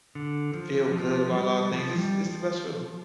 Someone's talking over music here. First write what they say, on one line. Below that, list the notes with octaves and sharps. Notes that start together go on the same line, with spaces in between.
feel good about a lotta things. It's it's the best feeling.
D3
F3
F3
G3
F3
G3
F3